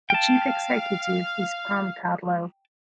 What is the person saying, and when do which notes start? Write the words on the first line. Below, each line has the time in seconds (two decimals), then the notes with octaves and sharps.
The Chief Executive is Pam Tatlow.
0.10 F5 G5 A5